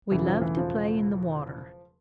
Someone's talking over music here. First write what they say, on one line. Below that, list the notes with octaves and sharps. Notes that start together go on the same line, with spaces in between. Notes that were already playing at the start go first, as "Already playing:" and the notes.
We loved to play in the water.
E1 E2 C#3 E3 F#3 A3
F3
E3
F3